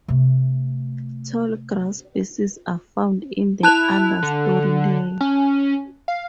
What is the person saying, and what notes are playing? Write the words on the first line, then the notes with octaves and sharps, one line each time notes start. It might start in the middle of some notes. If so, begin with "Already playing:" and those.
Tallgrass species are found in the understory layer.
C3 A3
E4 A5 F#6 F7
D3
C#4
F5